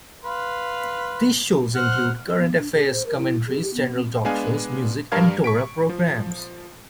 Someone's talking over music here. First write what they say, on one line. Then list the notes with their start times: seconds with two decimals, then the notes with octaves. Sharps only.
These shows include current affairs commentaries, general talk shows, music, and Torah programs.
0.24 B4 F5 C6
1.75 C5 F#5 F6
2.36 B3
2.59 D4
2.75 G#4
2.93 C5
3.06 A#4
3.18 E4
3.47 G#4
3.62 G4
3.74 B3
3.94 C4
4.25 G#3 B3 D4 F5 G#5
5.12 G2 G3 A#4 F5 A5 G#6
5.44 C#6 B6 D7
5.89 F3